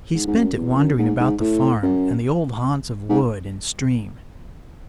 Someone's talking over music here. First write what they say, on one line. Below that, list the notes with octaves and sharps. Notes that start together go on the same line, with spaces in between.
He spent it wandering about the farm and the old haunts of wood and stream.
G#2
G#2
F#2
E2
E2
F#2
G#2
G#2
A2
F#2
G#2